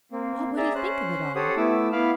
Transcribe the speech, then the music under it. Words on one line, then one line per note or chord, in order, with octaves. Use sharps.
What would he think of it all!
A#3 C4
G#4 D5 E5 A#5
C#4 C5 F#6
G4 A4 C5 C#5 F#5 D#6
A3 B3 E4 D6 E6
B3 E4 F5 B5 D6 F6